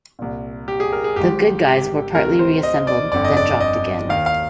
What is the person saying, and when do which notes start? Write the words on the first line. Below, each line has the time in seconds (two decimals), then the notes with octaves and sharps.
The "Good Guys" were partly reassembled, then dropped again.
0.19 C2 A#2
0.68 G4
0.80 G#4
0.93 A#4
1.04 G#4
1.16 G#1 G#2 D#3 G4
1.66 G4
2.15 D2 C3 D#3 A#4
2.39 C5
2.63 D#5
2.87 D5
3.12 G1 F2 D3 D5
3.25 D#5
3.37 D5
3.60 D#5
4.09 D#2 D#3 F5
4.26 F5